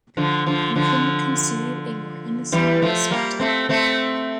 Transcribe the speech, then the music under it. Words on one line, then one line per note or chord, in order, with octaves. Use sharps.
You couldn’t conceive a more innocent spectacle.
D3 F3
D3 F3
D3 F3
E3 G3
F3 A3
G3 A#3
A3 C4
A3 C4